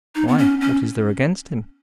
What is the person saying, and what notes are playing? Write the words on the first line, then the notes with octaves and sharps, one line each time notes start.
"Why, what is there against him?"
D#4
B3
C#4
C#4